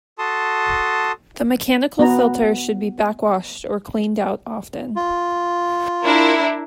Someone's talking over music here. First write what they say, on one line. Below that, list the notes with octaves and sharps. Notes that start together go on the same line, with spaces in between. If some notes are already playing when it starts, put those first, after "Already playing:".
The mechanical filter should be backwashed or cleaned out often.
F#4 A4 A5 C6 D#6
B3 F#4 A#5
F4
D4 E4 A#4